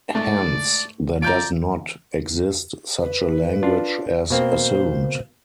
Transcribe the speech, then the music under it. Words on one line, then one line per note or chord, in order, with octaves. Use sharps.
Hence, there does not exist such a language as assumed.
G#2 A3 D5
F3 D5 A#5 G6 D7
B4
D4 F4
B2 A#3 C4 C5